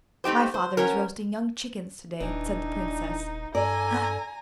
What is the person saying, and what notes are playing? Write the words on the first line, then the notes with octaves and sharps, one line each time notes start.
My father is roasting young chickens to-day!' said the Princess.
A3 C4 D#4 G4 C5
C5
B3 C#4 A#4
D#1 E3 D4 D#4
G2 A4 D5 G#5 A#5